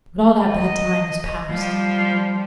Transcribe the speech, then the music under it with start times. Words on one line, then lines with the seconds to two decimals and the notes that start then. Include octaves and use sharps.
But all that bad time is past.
0.49 D#5
1.51 F3 G3